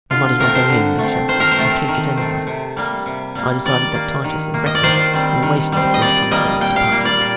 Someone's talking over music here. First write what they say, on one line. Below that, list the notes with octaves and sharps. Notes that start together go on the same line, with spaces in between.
"We might as well go in," they shouted, "and take it anyway!" I decided that Titus and Breckenridge were wasted in the Commissariat Department.
D3 F4
A3 C4 A#4
C5
D3
A3 C4
D#3 C5
A#4
C5
A3 C4
D#3
A3 C4
C3
G3 A#3
C3
G3 A#3
D#3 D5
A#3
D#3
A#3
D#5
D5
D#3 C5
G3 C4
D#3
G3 C4
D#5
A#2 D5
G3 A#3 D#5
A#2 G5
F5
G3 A#3
D5
A#2